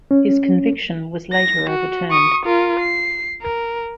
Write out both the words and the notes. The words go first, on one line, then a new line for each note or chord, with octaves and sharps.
His conviction was later overturned.
C#4
A#6
F#4
C#6 D#6
F4 A#4
C7
A#4